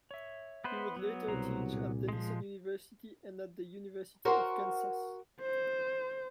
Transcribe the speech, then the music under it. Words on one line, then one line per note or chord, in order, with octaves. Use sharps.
He would later teach at Denison University and at the University of Kansas.
C#5 E5
B3 B4 C5
F#3 B3
C2 B2 C5 A#5
A#2
F3 G#3
F#4 A#4 C5
C5